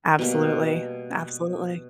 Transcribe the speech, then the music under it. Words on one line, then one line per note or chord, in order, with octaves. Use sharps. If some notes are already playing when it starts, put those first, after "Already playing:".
Absolutely. Absolutely.
B2 G3 A#3